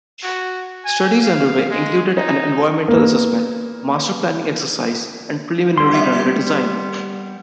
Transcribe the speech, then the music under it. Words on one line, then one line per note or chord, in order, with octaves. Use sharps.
Studies underway included an environmental assessment, master planning exercise and preliminary runway design.
F#4
G#5
F5
G#3
D#4
A#3 B3
G3 B3 C6